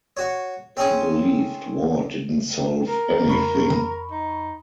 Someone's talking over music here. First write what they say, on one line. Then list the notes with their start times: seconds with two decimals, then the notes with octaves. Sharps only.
He believed war didn't solve anything.
0.17 F#4 C#5
0.77 C4 C#4 G#4
2.88 A#4
3.29 F2 B5 C#6
4.11 D#4